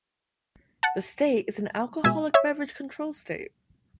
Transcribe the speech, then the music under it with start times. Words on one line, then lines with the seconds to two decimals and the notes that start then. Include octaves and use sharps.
The state is an alcoholic beverage control state.
0.83 F#5 A5
2.04 B2 G#3 E5 G#5
2.34 C#5 E5